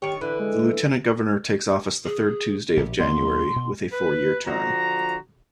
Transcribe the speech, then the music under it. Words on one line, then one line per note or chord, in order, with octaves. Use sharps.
The Lieutenant Governor takes office the third Tuesday of January with a four-year term.
D#3 G4 C#5 C#6
D3 E3 B4
G#3
G#4
A#1 G4
D#2 A#3 B3 C6
B2
B4
D3 F3 F#4 A#5